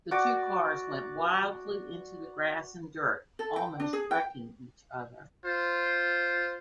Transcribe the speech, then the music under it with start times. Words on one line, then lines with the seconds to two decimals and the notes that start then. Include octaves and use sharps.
The two cars went wildly into the grass and dirt, almost wrecking each other.
0.11 F#4 D5
3.39 A4
3.56 G5
3.80 D4
3.93 G#4
4.11 G5
5.45 F4 C5